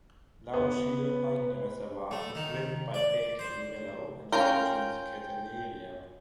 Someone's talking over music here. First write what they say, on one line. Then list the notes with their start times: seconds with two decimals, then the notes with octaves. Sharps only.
Lau Shui Heung Reservoir is rimmed by Peking willow and Fortune's keteleeria.
0.54 B3 B4
2.11 A3
2.35 D#3
2.94 D5
3.39 C5
4.32 C#4 F4 A#4 G5 G6